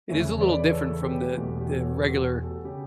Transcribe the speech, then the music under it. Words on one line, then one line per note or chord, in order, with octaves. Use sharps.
it is a little different from the the regular
E2 C#3 E3 A3 C#5 E5
B4 D5
A4 C#5
A4
G4 B4
E1 E2 B2 A3
G4
F#4 A4
C#5
B4
F#4 A4
G4
G4
F#4 A4
C#3 G4